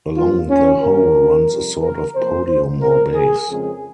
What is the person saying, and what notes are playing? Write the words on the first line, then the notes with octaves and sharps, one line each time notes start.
Along the whole runs a sort of podium or base.
G2 F3 A#3 F4
C#4
G2 D#3 A#3 A#4
F2 C3 G3
A#4
C3 F3 A#3 C5
A#2 G#3 C4 A#4
G#4
F2 C#3 G#3 C4 G#4